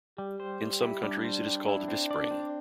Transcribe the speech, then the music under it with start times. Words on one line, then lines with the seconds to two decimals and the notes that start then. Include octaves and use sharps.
In some countries it is called Vispring.
0.18 G3 G4
0.40 C5
0.62 G3
0.82 E4
1.03 G3 D4
1.24 C5
1.46 G3
1.68 E4
1.88 C4
2.11 D5
2.31 C4